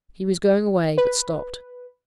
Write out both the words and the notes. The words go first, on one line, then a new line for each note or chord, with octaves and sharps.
He was going away, but stopped.
B4